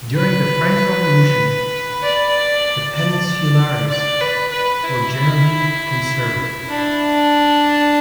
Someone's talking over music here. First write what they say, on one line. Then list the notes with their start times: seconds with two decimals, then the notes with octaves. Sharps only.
During the French Revolution, the "peninsulares" were generally conservative.
0.16 B4
2.03 D5
2.96 D5
3.90 D5
4.21 B4
4.51 B4
4.83 E4
6.70 D4